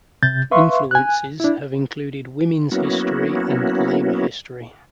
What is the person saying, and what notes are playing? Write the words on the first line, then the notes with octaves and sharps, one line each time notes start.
Influences have included women's history and labour history.
C3 G6 A6
B4 E5 F5 C6 C#6
G#5 F#6
D4 E4
F#3 A#3 B3 C#4 E4 F#4